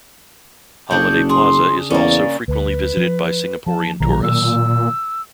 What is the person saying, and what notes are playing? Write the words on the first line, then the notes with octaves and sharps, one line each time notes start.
Holiday Plaza is also frequently visited by Singaporean tourists.
F#1 C#3 D4 G6
G#4 C6
E2 A#3 C#4 D5
D2 B4
F3
F3 A5
A#1 B2 D#3 F#3 A#5
A#2 E6